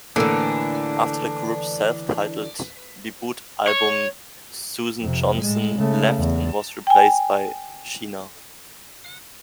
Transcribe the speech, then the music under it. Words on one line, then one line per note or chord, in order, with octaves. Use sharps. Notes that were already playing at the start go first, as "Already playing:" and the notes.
After the group's self-titled debut album, Susan Johnson left and was replaced by Sheena.
A2 D3 E3 A#3 D4 A4
C#5
F2 C3
A2 G#3
C#3 A3
E2
G5 G#5